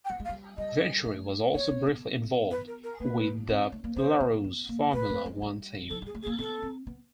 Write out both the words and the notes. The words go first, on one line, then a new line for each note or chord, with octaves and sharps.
Venturi was also briefly involved with the Larrousse Formula One team.
G5
G3 F#5
G#3
F5
G3
G3 D#5
A3
B3 C#5
C4
B3
B4
A#4
A#4
A#3 B4
C4
A3
A#3
B3 C5
B3
B3
A#3
A3 B4
A3
G#3
G3
F3 A4
G3 G#4
A3
G#4
A#3
B3 A4
C4
B3